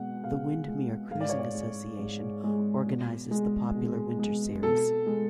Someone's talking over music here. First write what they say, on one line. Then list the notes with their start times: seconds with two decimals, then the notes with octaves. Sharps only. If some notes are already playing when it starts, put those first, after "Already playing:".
The Windermere Cruising Association organises the popular Winter Series.
Already playing: B2 G#3 F#5
0.23 B2 F5
0.68 G#3
1.11 G#2 F5
1.21 D5
1.29 C#5
1.39 D5
1.55 G#3
1.99 G#2
2.44 G#3
2.86 B2
3.31 G#3
3.75 B2
4.19 G#3
4.62 B2 A4
5.06 G#3